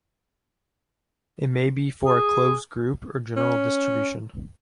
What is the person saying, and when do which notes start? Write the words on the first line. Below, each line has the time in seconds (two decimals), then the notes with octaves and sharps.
It may be for a closed group or general distribution.
2.05 G#4
3.36 C#4